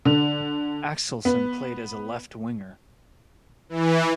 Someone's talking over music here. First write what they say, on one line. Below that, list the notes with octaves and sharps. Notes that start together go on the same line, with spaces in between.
Axelsson played as a left winger.
D3
B3
E3